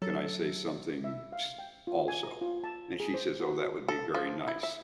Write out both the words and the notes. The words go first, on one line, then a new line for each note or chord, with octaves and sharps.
can I say something ps also," then she says, "Oh, that would be very nice,"
F#3 A4
E5
F5
G5
F4
G#5
A#5
F4
A5
G#4
C5
F#4
A4
F3
E4
E5